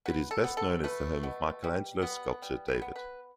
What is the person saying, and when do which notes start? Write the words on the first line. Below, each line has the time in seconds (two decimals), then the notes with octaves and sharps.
It is best known as the home of Michelangelo's sculpture "David".
0.06 F#3 B4
0.31 A4
0.44 B3
0.57 A4
0.84 A3 B4
1.23 B2
1.64 G3
2.02 B3
2.42 G3
2.68 B4
2.82 B3
2.96 B4